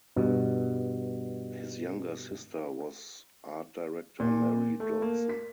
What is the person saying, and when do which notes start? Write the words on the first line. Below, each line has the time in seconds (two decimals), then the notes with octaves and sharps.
His younger sister was art director Mary Dodson.
0.16 G2 B2
4.20 A#2
4.80 A3
5.02 A#3
5.29 B6